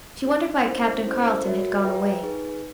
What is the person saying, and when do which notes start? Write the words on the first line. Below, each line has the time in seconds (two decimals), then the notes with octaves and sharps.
She wondered why Captain Carleton had gone away.
0.26 C4 D#4 G4
0.66 C#4 E4 G4 C5
1.04 C#4 E4 A4 C5
1.44 F#4 A#4 C#5 E5
1.83 F4 G#4 B4 E5 G5
2.22 D#4 G#4 B4